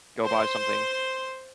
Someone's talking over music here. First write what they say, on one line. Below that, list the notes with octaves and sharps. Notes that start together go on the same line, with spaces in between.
go buy something,
C5 C6